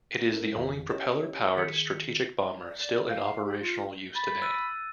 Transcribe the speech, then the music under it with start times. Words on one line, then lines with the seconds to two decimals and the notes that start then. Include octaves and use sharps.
It is the only propeller-powered strategic bomber still in operational use today.
0.31 A3 C#4 E4 A4 A#4
0.55 A1 F2 D#3
0.89 C#4 G4 C#5 D#5
1.56 D#3 G#4 B6 C#7
2.64 D5
3.08 F5
3.42 G4
3.59 F4
4.15 B5 A6
4.42 E6 F#6 D#7